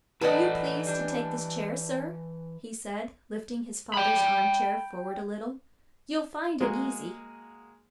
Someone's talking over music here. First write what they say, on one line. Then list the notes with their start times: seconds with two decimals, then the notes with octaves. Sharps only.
"Will you please to take this chair, sir?" he said, lifting his father's arm-chair forward a little: "you'll find it easy."
0.21 A2 E3 F#3 B4 D5 D#5 A5
0.86 G3 D4
3.94 G5 B5
6.60 G#3 A#3 F#4 G#4